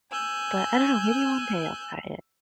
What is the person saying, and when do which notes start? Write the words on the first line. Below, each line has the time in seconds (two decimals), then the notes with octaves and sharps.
but I don't know, maybe one day I'll try it.
0.11 G#5 E6 F#6 G6